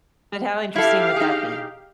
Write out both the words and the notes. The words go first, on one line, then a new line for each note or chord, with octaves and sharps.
But how interesting would that be?
E4 G4 A4 F5
D#4 G#4